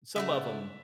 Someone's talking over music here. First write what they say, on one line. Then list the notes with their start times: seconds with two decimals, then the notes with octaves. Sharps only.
some of 'em
0.16 C#3 A3 E4 F#4 E5